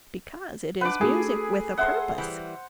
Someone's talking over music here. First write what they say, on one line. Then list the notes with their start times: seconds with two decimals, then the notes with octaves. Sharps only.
"Because it is music with a purpose."
0.81 D4 D#4 B4 F#5 D6
1.01 A3 D4 F#4 G#4 A4
1.78 A4 C5 E5 F#5
2.18 E3 G3